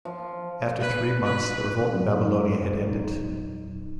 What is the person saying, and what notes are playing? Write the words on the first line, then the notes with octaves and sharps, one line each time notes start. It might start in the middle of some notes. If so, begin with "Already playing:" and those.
After three months the revolt in Babylonia had ended.
F3
B4
B4
F#2
E2 A#2 F#3 D#4